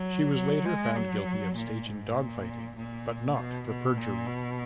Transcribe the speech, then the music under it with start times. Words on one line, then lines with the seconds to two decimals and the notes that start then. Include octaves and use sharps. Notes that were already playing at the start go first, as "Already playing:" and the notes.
She was later found guilty of staging dogfighting but not for perjury.
Already playing: F#3
0.36 F#3
0.65 G#3
0.96 F#3
1.56 A#2
1.87 G#2
2.17 A#2
2.76 A#2
3.36 B2
3.68 B2
3.98 A#2
4.27 B2